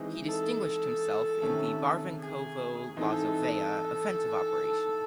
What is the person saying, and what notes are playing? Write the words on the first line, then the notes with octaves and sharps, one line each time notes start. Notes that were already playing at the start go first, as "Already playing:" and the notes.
He distinguished himself in the Barvenkovo–Lozovaya Offensive Operation.
Already playing: E3 G#3 C4 D#4
A4
C3 D#3 A3 C#4
G#4
G#2 E3 C4 D#4 A4